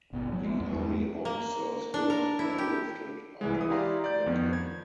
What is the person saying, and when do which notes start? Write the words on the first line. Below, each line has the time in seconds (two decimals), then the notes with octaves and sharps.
The Army officers were airlifted out of the camp.
0.13 G#1 B2
0.32 F#3
0.45 G#3 B3
0.60 E2 G2
1.25 A#3
1.94 D4
2.10 A#4
2.39 E4
2.58 G4
3.41 C2 E3 G#3
3.57 E3 D#6
3.70 E4 G4 D5 F5 A#5 C6
4.04 D5 G6
4.26 F2 D#3 B3
4.53 G#6